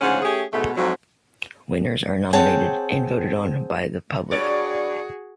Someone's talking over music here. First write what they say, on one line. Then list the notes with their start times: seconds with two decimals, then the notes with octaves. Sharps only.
Winners are nominated and voted on by the public.
0.01 D2 G#2 C#3 F3 C#4 F#5
0.22 A3 C#4 G4 G#4
0.53 G#2 B2 A3
0.76 F2 G#2 F#3
2.33 C4 G#4 C#5 F#5 G5 A5
4.31 G2 F#4 G#4 C#5 D5